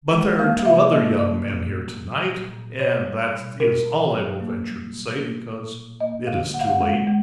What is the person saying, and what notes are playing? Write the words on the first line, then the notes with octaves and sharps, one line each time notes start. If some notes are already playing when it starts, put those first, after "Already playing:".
But there are two other young men here to-night, and that is all I will venture to say, because it is too late.
G#3
A#3 F5
F5
C3 E5
A#3 D#5
A#3 D5
A#2
G3
F#3
A#2
A#2
B2 C#5
G3
B2
B2 A#4
B2
F#3
A#3
G3
B2
A#3
A#2
A#2
A#3 D#5
D3 F5
A#3 F#5
F5
F#5
G#3 F5
G#3